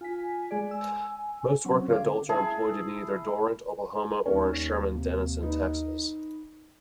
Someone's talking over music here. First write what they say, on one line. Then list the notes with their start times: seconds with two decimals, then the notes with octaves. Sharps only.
Most working adults are employed in either Durant, Oklahoma or in Sherman-Denison, Texas.
0.01 F4 G#5 B6
0.51 G#3 G#4 D5
0.71 G#5 E6
1.65 F#3 C4 C#4
1.88 D3 G#4 F5 D6
2.29 E4 G#4 A5
4.26 D#2 D#3 C#4
4.95 C3
5.41 D#4 B4 D#5